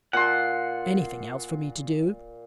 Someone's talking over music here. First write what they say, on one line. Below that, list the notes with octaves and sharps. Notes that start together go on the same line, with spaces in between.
"Anything else for me to do?"
A#2 F#5 C6